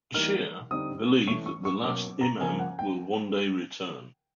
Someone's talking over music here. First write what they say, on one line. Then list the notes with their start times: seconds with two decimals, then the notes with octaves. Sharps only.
Shi'a believe that the last Imam will one day return.
0.14 E3 G3 A#3 D#4 F6
0.71 D3 G3 C4 D#4 D#6
1.27 E3 A3 C#4 C#6
1.46 C#6
1.65 C#6
1.84 B2 F#3 A#3 C#4 D6
2.21 A#5
2.41 C#3 F3 A#3 G#5
2.59 F#5
2.79 G5